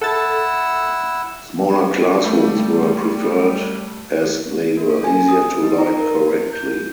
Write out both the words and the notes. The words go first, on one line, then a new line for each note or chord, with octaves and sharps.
Smaller classrooms were preferred as they were easier to light correctly.
E4 A4 F#5 E6 A6
G3 A3
A#3
A4
G#5
D#6
D#4
A#5
A#4
E4
G6